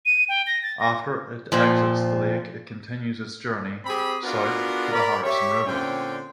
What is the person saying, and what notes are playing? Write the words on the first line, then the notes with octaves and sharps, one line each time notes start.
After it exits the lake it continues its journey south to the Harrison River.
D#7
G5
A#6
A6
A#6
F2 A#2 F3
C4 G4 G#4 B5
B3 D4 F4 F#4 G#4 A#4
A#4 D5 B5
G4 C#5 E5
A#2 D3 C4 C#4 G5